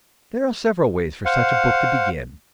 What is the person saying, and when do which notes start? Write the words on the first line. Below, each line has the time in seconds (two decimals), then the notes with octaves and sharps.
There are several ways for such a book to begin.
1.25 C5 F5 F#5